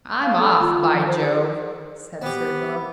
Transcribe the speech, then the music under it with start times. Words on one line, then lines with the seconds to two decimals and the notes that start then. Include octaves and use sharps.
"I'm off, by Jove!" said Sir Philip.
0.23 F5
0.38 A4
0.59 F4
0.92 F3
1.07 C5
1.20 G#4
2.22 B3 C4 G4